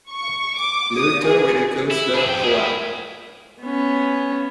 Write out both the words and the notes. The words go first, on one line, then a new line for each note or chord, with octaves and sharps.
Luthor ridicules the poem.
C#6
D6
D#6
G#4
E4
D4 G#4
F2 G5
E4 G#4
B3 C#4